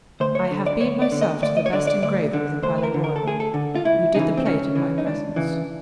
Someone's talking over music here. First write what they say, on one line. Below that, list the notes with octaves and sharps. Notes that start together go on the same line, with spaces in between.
I have been myself to the best engraver of the Palais Royal, who did the plate in my presence.
D2 C5
C#5
D3
D5
D2 C#5
D5
D3
D#5
D2 D5
D#5
C#5
D3 D5
D5
D2 D5
D3
D2 C5
B4
A#4
D3
A#4
A4
D2 G#4
A4
D3
F4
C#2 E4
C#3 E3 D#4
C4
C#2 C#4
C#3 E3
D#4
C#2 D4
C#3 E3